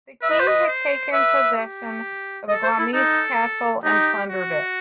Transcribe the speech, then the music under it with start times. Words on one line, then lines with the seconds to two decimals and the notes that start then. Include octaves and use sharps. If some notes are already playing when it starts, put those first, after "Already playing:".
The king had taken possession of Glamis Castle and plundered it.
0.22 B4 E5
0.30 D#5
0.40 C5
0.47 D#5
0.68 C5
1.13 B4 E5
1.59 G4
2.48 A4 D#5
2.63 C5
2.78 E4
2.93 D#4 A4
3.84 D#4 G4
4.30 F#4